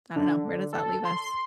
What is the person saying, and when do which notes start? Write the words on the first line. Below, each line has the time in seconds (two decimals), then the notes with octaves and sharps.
I don't know, where does that leave us?
0.16 D3
0.73 A4
1.05 C6